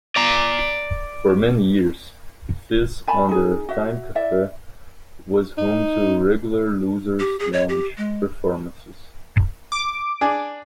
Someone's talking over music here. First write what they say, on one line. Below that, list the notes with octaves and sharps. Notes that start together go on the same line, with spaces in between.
For many years Fez under Time Cafe was home to regular Loser's Lounge performances.
D5 A#5
G#5 A5 B5
D#4 G#4
F#4 E5
E4 D5 E5
D#4
G4
G#4
C#5
G4
G#3
D6
D4 G#4